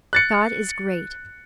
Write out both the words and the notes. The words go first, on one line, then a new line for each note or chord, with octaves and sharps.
God is great.
F#6 A6 C#7